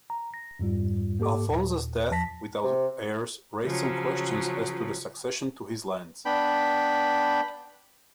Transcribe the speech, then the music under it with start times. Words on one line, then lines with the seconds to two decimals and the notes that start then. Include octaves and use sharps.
Alphonse's death without heirs raised some questions as to the succession to his lands.
0.10 A#5
0.34 A#6
0.59 F2 G#2 G3 F4
1.19 G#2 A#3 G4 A4 D6
1.48 D#2 A#2
2.11 E2 F3 A5 A#6 B6
2.64 C3
3.64 C#3 F3 F#3
6.26 B3 D4 G5 B5